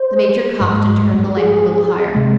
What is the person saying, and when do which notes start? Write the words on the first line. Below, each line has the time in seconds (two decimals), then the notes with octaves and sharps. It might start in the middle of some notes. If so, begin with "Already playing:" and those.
The Major coughed and turned the lamp a little higher.
Already playing: C5
0.60 G#2 G#3
1.37 G#4
2.15 C3 G#3